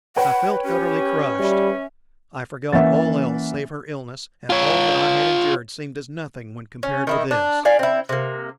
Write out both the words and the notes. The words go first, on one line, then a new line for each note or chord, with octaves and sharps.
I felt utterly crushed. I forgot all else save her illness, and all that I had endured seemed as nothing when compared with this.
B4 C#5 F#5 G5
C#4 G4
G3 E5
E3 A#3 C#4 E5 F#5 A6
F4 C#5
C#4
D#3 E4 D#5
D4
D5 F5 G#5
C4 E4
C3 A#3